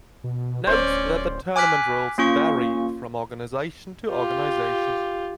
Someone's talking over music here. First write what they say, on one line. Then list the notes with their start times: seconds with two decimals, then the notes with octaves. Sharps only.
Note that the tournament rules vary from organization to organization.
0.24 B2
0.67 D1 C#4 C5 D5
1.56 G#5 D6 F6 F#6 B6
2.18 A#3 C#4 F4 C#6
4.08 F4 G4